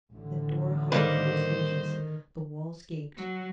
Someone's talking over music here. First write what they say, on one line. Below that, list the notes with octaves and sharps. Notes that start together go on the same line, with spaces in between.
The door hung from its hinges, the walls gaped.
A1 D3
D#3 G3 A#3 B4 C5
F#3